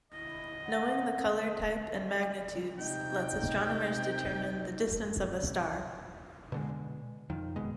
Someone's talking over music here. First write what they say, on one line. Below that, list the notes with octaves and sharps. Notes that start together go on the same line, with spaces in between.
Knowing the color type and magnitudes lets astronomers determine the distance of a star.
E4 D#5
F#5
C3 D#4 G5
B2 D3 G#3
F2 D#3
F#1 B2 G#3